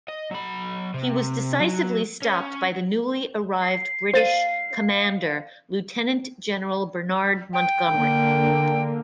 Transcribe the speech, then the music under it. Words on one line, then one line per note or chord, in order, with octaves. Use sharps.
He was decisively stopped by the newly arrived British commander, Lieutenant General Bernard Montgomery.
D#5
F#3 B5
C3
F#3
C#4
C7
C5 F5 A6 D#7
G5
D3 A#3